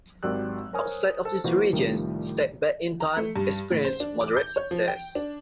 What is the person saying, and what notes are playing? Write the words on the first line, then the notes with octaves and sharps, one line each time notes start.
Outside of these regions, "Step Back in Time" experienced moderate success.
G#1 F#3 G4 D5 E6 F#6
A#4 C5 C#5 G#5 D#6 F6
A4 C5
E3 A#3 F4 F#4 C5
C2 A2 D#3 F3 G3
A#5
A3
G2
A2
C5
D4
D6
G6
C#5
F3
G5
D4